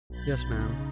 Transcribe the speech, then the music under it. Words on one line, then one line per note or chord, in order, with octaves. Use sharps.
'Yes, ma'am.
B1 B5 G6 A6
C#3 D#4